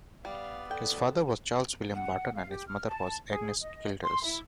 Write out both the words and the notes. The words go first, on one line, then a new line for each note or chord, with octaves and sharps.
His father was Charles William Barton and his mother was Agnes Childers.
G3 B3 D5 F5
A4 G5
F#5
F5
G4
F6
A5
G#4
D#5
C6
E4